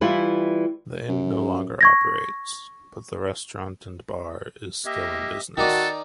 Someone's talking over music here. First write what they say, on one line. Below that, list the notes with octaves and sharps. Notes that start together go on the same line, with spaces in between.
The inn no longer operates, but the restaurant and bar is still in business.
E3 G3 E4 F4
F#2
C#6 G#6 A#6
A#3 G4 D#5 E5
D#3 D#4 F#4 A4 D5 A5